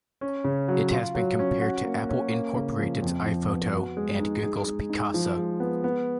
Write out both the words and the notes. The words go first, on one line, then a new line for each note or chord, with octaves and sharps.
It has been compared to Apple Inc.'s iPhoto and Google's Picasa.
C#4
C#3
F#3
F4
F#3
C#4
F#4
A#3
C#4
A#3
C#3
F3
F2
F3
B3
F#4
G#3
D#4
G#4
G#3
D#4
F3
G#3
B3
B3